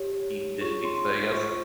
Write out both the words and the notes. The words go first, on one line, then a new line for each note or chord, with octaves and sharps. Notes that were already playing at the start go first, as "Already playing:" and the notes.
deep dish pizza, I guess,
Already playing: G4 C#5
F4 G#4 C#5 C#6
C6
F4 C5 C#6